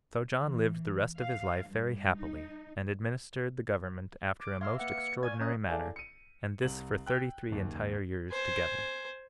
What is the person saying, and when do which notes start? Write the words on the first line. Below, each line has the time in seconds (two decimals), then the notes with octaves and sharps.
So John lived the rest of his life very happily, and administered the government after a most extraordinary manner, and this for thirty-three entire years together.
0.39 E3
1.18 F5
1.68 G2
2.17 D#4
4.40 D6
4.61 E5 F5 C6 D6 E6 F6 G#6
4.79 A#3 B4 F#5 C#7
5.23 D5 F5 G#5 C#6 F6 G#6
5.41 C#4 D#5 A#5 D#6 F#6 G#6
5.68 E4 G#4 A4 D5 F5 G#5
5.96 C#7 D#7
6.62 C2 F#7
7.07 G5 E6 F#6
7.49 F#1 D#2
8.31 C5 G#5